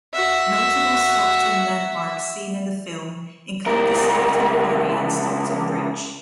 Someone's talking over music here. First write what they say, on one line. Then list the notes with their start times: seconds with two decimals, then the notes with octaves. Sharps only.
Notable Stockton landmarks seen in the film include the Stockton Ferry and Stockton Bridge.
0.13 F#4 E5
3.66 C#2 A#4